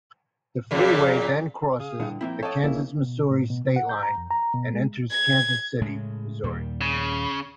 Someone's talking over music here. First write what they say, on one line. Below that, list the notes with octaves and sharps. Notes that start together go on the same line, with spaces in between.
The freeway then crosses the Kansas-Missouri state line and enters Kansas City, Missouri.
F2 A#2 C#3
C#3 G#4 F5 D#6
G2 A#2 D3 E4 G5
F3 A#3 C4 E4 E5 G5
A4 C#5 D#5 F5 D6 A6
A#1 B2 A#3 C#4 D#4 E4 G#4
B2
A2
B2
C3
F#5
G6
A#5
F2
A#5
B2
G#3
G#6
A2 C#3 G#3
D#2 A#2 G3
C#3